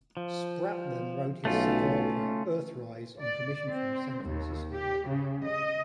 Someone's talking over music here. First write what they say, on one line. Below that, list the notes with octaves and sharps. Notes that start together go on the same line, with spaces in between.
Spratlan wrote his second opera, "Earthrise", on commission from San Francisco Opera.
F3
B1 A3 C#4 F4
D5
C4
D#2
G4
C#3
D#5